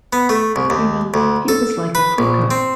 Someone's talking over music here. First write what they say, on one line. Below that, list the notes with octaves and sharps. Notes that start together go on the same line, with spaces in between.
You know, he was like a crew cut.
B3
A3
C2
D#2
D2
A4
B4
A#1
C4